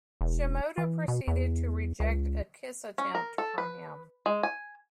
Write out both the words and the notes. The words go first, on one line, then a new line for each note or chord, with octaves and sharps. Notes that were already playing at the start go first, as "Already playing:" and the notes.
Shimoda proceeded to reject a kiss attempt from him.
E1
E3
B2
E2
C#2
C#4
A#4
A4
B4
G#3
G#5